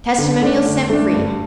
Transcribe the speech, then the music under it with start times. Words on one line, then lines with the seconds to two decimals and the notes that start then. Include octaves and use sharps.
Testimonials SENT FREE.
0.18 D3
0.42 A3 D4
0.66 D3
0.89 A3 D4
1.13 G2